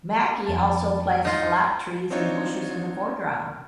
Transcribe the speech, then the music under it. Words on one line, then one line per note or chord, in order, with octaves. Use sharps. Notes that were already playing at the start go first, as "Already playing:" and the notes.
Macke also placed flat trees and bushes in the foreground.
F2 A5
D#4 F4
C4 D4 D#4 F4 C#5